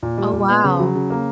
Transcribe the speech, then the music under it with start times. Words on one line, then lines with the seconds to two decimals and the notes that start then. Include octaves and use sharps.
Oh, wow.
0.03 A#2
0.18 G3
0.33 A#2
0.49 B3
0.64 C#3
0.80 F#3
0.95 C#3
1.10 A#3